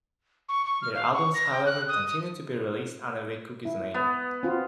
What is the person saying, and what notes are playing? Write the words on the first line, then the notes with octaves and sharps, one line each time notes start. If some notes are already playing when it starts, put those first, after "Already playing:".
Their albums, however, continued to be released under the Cookies name.
C#6
C#6
F6
F5
C#6
A#6
G5
F#6
D#6
D#6
E4
B3
C4 F4 F#4